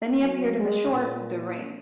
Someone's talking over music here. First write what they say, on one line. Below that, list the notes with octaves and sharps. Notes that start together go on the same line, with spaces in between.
Then he appeared in the short "The Ring".
F#3
G#3
A#2